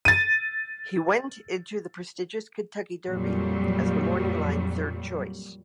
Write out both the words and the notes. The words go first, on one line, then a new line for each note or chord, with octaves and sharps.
He went into the prestigious Kentucky Derby as the morning line third choice.
A6 D#7
F2 A#2 F#3 G3